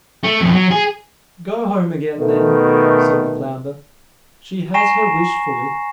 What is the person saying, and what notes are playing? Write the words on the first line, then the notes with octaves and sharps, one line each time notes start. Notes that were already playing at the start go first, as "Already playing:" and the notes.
"Go home again, then," said the flounder; "she has her wish fully."
A3
F2 B2
F#3
G#4
B2 D#3 A3
G#5 A#5 C#6 A#6 C7 E7